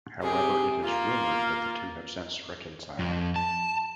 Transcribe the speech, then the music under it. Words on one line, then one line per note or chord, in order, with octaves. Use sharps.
However it is rumored that the two have since reconciled.
C3 G4 G#4
A#3 F4
F2
A5